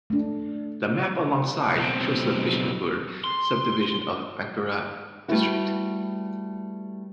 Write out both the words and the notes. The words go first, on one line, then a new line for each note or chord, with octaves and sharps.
The map alongside shows the Bishnupur subdivision of Bankura district.
A3 D4
B1 C4
C6
G3 A3 B3 E4 F#4